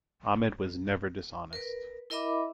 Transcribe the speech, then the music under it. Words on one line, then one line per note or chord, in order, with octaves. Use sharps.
Ahmed was never dishonest.
A#4 B4
E4 A#4 D#5 E5 B5 D6